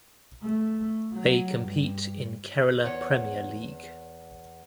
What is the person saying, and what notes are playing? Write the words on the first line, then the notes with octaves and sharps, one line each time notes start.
They compete in Kerala Premier League.
A3
F#3
G2
E2 C#5 F#5